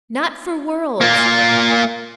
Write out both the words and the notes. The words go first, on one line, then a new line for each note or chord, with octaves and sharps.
'Not for worlds!
A#3 F4